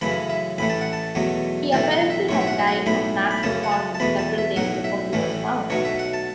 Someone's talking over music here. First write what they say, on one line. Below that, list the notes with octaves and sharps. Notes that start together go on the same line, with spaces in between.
He apparently had died of natural causes several days before he was found.
F#2 C#3 E3 A3 B5
E5
A1 A2 A3 B5
A5
F#5
A5
E2 B2 F#3 A3
B1 A2 E3 A3 A5
F#5
E5
B1 A2 F#3 A3 C#5
E5
F#5
E5
F#5
B1 A2 A3 B5
B5
F#2 C#3 A3 A5
F#5
A5
A5
E2 B2 A3 B5
A5
E5
B1 A2 F#3 F#5
E5
A1 A2 E3 A3
B1 B2 F#3 A3 C#5
E5
F#5
A5